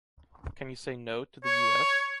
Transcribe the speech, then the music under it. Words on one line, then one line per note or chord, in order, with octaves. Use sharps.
Can you say “no” to the US?
C#5